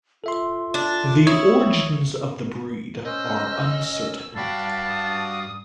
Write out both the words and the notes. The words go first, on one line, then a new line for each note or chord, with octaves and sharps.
The origins of the breed are uncertain.
F4 A4 E5 C6
D4
E4 C#5 D#6
C#4 C5 D#5 E6
C#4
G2 F#4 D5 F5 G5 A5 B5
D#6